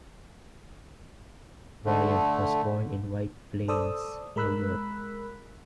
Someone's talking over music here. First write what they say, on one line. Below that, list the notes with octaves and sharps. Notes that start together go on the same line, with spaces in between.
Bryant was born in White Plains, New York.
D3 A3
A4 C5 D5 D#6 E6
G#3 A#4 B5 E6 F#6 B6